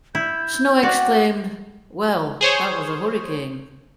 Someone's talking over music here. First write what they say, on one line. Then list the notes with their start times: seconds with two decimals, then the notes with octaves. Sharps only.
Snow exclaimed, Well, that was a Hurricane.
0.15 E4 G6
0.83 F#4 D5 G5
2.41 G#4 C5 C#5